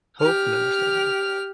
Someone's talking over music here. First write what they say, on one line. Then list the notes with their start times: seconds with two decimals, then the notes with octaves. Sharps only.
Hope and understanding,
0.21 G4 F6